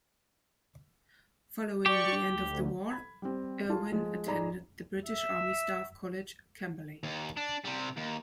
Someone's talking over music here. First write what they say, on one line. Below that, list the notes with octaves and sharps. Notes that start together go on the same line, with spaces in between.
Following the end of the war, Irwin attended the British Army Staff College, Camberley.
G4 D5 C#6
D2
B5 G#6
G3 C4
F4 G#4 A5
F3 G#3
G#2 G#4 D5 A#5 B5
E5
D#2
D4
C3 G3
D#2